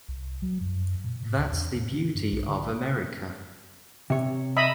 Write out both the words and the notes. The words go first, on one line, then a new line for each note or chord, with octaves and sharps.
That's the beauty of America.
C2
F#3
F#2
A#2
A2
C#2
E2
A2
D3
G2
B1
D3
C3 C#5
D#5 E5 B5